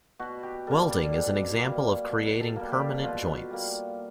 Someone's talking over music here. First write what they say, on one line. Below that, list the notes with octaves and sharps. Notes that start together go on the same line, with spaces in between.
Welding is an example of creating permanent joints.
B2 F#4
G4
G3 A#3 A4
D5
B2
G3 A#3
B2
A4
G3 A#3
G4
B2 F4
G3 A#3